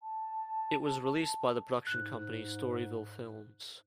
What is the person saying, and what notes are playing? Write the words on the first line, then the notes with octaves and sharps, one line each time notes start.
It was released by the production company, Storyville Films.
A5
G#2 F#6